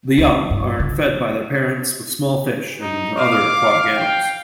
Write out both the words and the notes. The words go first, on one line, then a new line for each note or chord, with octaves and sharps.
The young are fed by their parents with small fish and other aquatic animals.
D2
G2
D3
D#4
F5 D6
G5